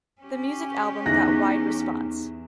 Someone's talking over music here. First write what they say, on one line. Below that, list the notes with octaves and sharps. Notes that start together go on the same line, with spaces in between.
The music album got wide response.
C#4 G4
E2 B3 D#4 F#6 A#6